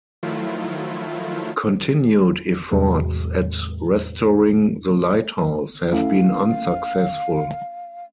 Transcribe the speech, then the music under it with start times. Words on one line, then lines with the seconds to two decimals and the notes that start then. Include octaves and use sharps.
Continued efforts at restoring the lighthouse have been unsuccessful.
0.23 D#3 F3 F#3 A3 E4 F4
2.71 E2 A2 C3 F#3 G#3
5.92 A3 C#4 E4 F5